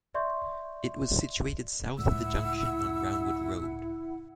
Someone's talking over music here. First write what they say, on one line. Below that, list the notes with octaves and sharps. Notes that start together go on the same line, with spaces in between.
It was situated south of the junction on Roundwood Road.
D5 E5 C6 C#6 G6
C#2 A2 E4 F#5 E6